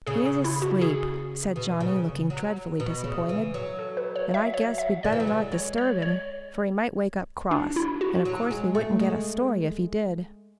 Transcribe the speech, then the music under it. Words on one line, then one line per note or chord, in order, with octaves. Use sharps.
"He's asleep," said Johnny, looking dreadfully disappointed, "and I guess we'd better not disturb him, for he might wake up cross, and of course we wouldn't get a story if he did."
C#3 G#4
G#4
E4
F#4
G#4
B2
C#3
F#3
B2
C#3
E3
F#3
A4
B4
C#5
E5
C#5
E5
D3 D5
E3
F#3
G#3
C#5
C#5
C#5
D4
E4
F#4
F#3
G#3
A3
G#3